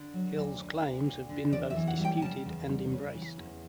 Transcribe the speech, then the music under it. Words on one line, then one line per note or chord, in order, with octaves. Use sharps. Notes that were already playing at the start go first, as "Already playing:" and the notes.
Hill's claims have been both disputed and embraced.
Already playing: D3
F#3
D2
D2
D2
D2
D3
E2 D5
E5
E3
F#5
G3
G5
C#3 A5
E2
G3
C#3
E3
E2